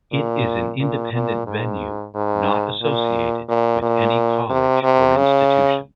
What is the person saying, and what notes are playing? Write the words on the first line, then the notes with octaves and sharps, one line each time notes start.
It is an independent venue not associated with any college or institution.
A#2
A#2
A#2
G#2
G#2
A#2
A#2
A#2
C3
C3
C#3